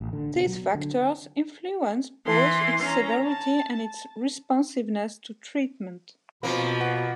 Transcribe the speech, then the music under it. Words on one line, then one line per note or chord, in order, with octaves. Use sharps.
These factors influence both its severity and its responsiveness to treatment.
A1
D3
B2
F#3
D3
E3 C6
C#4 A#5
A5
B2 F3 A#3 C4 C5 B5
F#4 B4 F#5